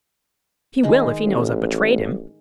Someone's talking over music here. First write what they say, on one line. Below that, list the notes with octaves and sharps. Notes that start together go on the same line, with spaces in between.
"He will, if he knows I've betrayed him."
D#3 G#3
A1